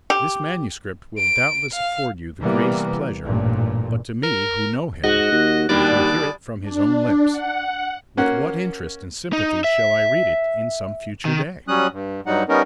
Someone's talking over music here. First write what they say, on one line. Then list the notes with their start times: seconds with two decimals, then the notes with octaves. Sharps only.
This manuscript will doubtless afford you the greatest pleasure; but to me, who know him, and who hear it from his own lips--with what interest and sympathy shall I read it in some future day!
0.10 G4
1.18 D7
1.74 F5
2.40 C3 E3 G3 A#3 B3
3.24 A1 G2 A#2
4.23 A#4
5.04 G#2 F#4 D#5
5.32 D#2
5.69 D#2 B2 G3 D4 D5
6.62 D4
7.32 F#5
8.17 A#3 C#4 F#4 F#5
9.33 D#4
9.64 E5
11.25 D#3
11.68 F#3 G3 C#4 D#6 F#6
11.93 G2
12.26 G2 F#3 G3 D#4 F#5
12.49 G3 B3 C#4 D#4 A#4